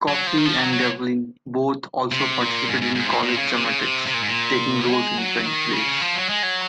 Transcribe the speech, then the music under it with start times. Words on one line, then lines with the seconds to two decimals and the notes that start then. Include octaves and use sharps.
Coffey and Devlin both also participated in college dramatics, taking roles in French plays.
0.08 F#3
0.27 F3
0.38 D#3
0.45 F3
0.59 F#3
0.73 F#3
2.12 C3
2.40 A#2
2.68 G#2
2.81 G#2
2.95 G#2
3.04 C3
3.09 A#2
3.23 A#2
3.37 C#3
3.51 C3
3.65 C#3
3.79 C3
4.07 C3
4.14 A#2
4.21 G#2
4.28 A#2
4.90 G#3
5.18 F#3
5.46 D#3
5.73 C#3
6.01 F3
6.15 F#3
6.29 G#3
6.43 F#3